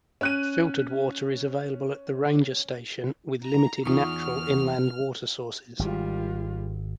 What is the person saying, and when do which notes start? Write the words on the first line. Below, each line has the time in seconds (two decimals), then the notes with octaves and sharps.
Filtered water is available at the ranger station, with limited natural inland water sources.
0.21 C#4 F#6 D#7
3.43 A#5
3.85 E2 D#4 F4 F#5 C#6 D#6 F6
5.79 G#1 G3 F4